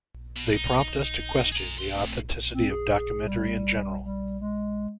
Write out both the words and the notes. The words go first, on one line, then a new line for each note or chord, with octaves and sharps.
They prompt us to question the authenticity of documentary in general.
B2
D#4
G#4 A#5
D#3 C6
A3 C4
C4
G#4
G3
G3
G#3